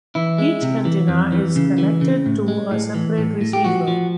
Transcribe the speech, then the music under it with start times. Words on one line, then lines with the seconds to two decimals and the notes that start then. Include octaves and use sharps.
Each antenna is connected to a separate receiver.
0.15 E3 E4
0.38 G#3
0.62 C3
0.85 E3
1.08 F2
1.32 E3
1.56 C#3
1.78 E3
2.01 C#3
2.26 A2
2.48 G#3
2.71 A2
2.94 E3
3.18 A2
3.41 A2
3.53 G4
3.65 F3 F#4
3.87 F3